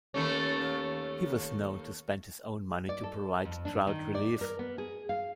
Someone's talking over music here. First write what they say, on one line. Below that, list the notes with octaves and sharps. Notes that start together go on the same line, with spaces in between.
He was known to spend his own money to provide drought relief.
D#2 A3 C#4
D5
A4
F2
D4
D#3
D5
A#4
B3
G#4
F5